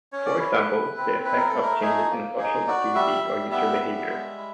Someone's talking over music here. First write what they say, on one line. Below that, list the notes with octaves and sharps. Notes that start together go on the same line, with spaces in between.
For example, the effects of changes in social activity or user behavior.
C#4 C#5
D5
E4 C#5
B4
E4
C4
E4 B4
A#4
A4
A3
A#4
D#4 G#4
A#3
D#4 G#4
F#4 D5
G3 E5
G3
B3 E5
G3
G#3
E4